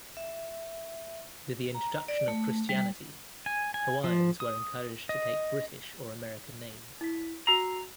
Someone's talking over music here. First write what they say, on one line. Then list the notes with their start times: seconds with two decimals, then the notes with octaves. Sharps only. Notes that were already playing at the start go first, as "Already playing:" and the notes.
With the introduction of Christianity, Hawaiians were encouraged to take British or American names.
0.17 E5
1.75 A#5
2.08 D5
2.28 A3
2.69 G3
3.46 G#5
3.74 G#5
4.04 F3
4.40 D#6
5.09 D#5
7.01 E4 B6
7.47 F#4 A#5 E6 C7